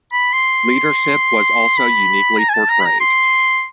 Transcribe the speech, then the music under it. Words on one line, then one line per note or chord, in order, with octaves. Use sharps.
Leadership was also uniquely portrayed.
B5
C6
B5
A#5
G#5
A5
A#5
B5
A#5
C6